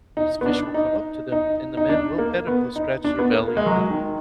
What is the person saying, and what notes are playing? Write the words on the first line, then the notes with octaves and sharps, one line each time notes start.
these fish will come up to them and the men will pet them, they'll scratch their belly and
D#4
B3
D4
D#4
D#4
D#4
D4
A#3
B3
D#4
D4
B3
A#3
A#3
G#3
F#3
G#3
D#3